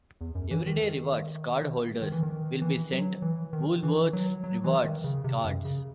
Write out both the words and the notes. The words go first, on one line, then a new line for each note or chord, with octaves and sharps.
Everyday Rewards cardholders will be sent 'Woolworths Rewards' cards.
E2
F#2
E3
D#3
D#3
E3
D#3
E3
F#3
E3
D#3
E3
F#3
F#3
E3
D#3
C#3
C3
F#2
C#3